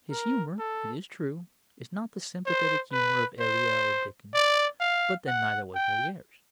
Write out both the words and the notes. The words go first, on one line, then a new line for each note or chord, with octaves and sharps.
His humour, it is true, is not the sympathetic humour of Elia or Dickens; but then neither was Moliere's.
A#4
A4
C5
B4
C5
D5
F5
F#5
G5